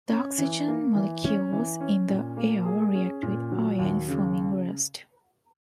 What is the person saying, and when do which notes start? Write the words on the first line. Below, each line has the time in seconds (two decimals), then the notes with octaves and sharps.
The oxygen molecules in the air react with iron, forming rust.
0.10 C#4
0.38 E3
0.68 A#3
0.95 E3
1.24 C#4
1.52 E3
1.80 C#4
2.09 A#2
2.37 A#3
2.65 G#4
2.95 C#4
3.23 A#2
3.52 F#3
3.79 D#2
4.08 C#3